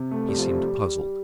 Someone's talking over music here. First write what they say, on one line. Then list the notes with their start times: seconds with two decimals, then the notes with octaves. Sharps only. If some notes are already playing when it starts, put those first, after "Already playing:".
He seemed puzzled.
Already playing: C3
0.11 A3
0.29 G3
0.39 F3
0.48 G3